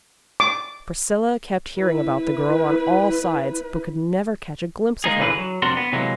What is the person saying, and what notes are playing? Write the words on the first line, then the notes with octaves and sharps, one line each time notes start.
Priscilla kept hearing about the girl on all sides, but could never catch a glimpse of her.
D6
E4 B4
G#3 A#3 D#4 G#4
D3 E3 G#4 B4
F#3
F2 C3 D4 F#4 A#4 C6
B3
C3 E3 F#3 G#3 A#3